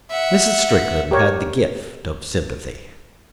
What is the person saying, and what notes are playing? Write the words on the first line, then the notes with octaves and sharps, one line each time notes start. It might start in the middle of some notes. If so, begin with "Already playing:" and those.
Mrs. Strickland had the gift of sympathy.
E5 F#5
G4 A#4 C#5